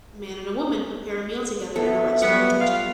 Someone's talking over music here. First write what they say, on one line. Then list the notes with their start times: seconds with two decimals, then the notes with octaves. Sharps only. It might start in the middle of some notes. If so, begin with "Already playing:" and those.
A man and a woman prepare a meal together in a restaurant kitchen.
1.76 B3 A4 E5
2.22 F#3 G3 B3 F#5 C#6
2.59 G3 B3 F4 F5